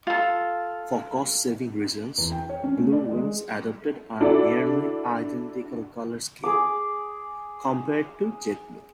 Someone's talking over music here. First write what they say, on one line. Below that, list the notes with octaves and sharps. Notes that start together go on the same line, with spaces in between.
For cost-saving reasons, Blue Wings adopted a nearly identical color scheme compared to JetBlue.
F4 A4
E2
G5
C#5
C#4
A3
D5
G#3
D4 E4 F#4 A4 D5
G#4 D6